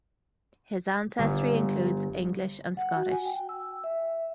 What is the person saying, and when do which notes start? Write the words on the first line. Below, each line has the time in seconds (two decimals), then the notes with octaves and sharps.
His ancestry includes English and Scottish.
1.19 G1
2.77 F#5
2.96 F#4
3.11 G#5
3.25 G5
3.49 E6
3.84 E5